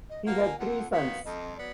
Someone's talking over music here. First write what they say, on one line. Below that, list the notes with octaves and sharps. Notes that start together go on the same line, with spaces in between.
He had three sons.
D#5
F3 A#3 F#5
G#5
F2 F#5
D#3 F#3 B3 F5
F2 D#5
F#3 B3 D5